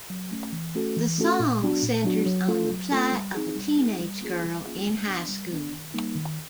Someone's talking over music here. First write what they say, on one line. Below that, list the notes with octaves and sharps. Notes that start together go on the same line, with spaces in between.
The song centers on the plight of a teenage girl in high school.
F#3
A3 C#4
E3
A3 C#4 F#4 A4
E3
A3 C#4 F#4 A4
A#2
F#3 B3 D4 F#4
A#2
F#3 B3 D4 F#4
F#3
A3 C#4 F4 A4
F#3
A3 C#4 F4 A4
G3
C4 D#4 G#4
G3
C4 D#4 G#4
G3
A#3 C#4 F4 G#4
G3
A#3 C#4 F4 G#4
G3
B3 D4
G3
B3 D4
D#3
G3 A#3 D#4
D#3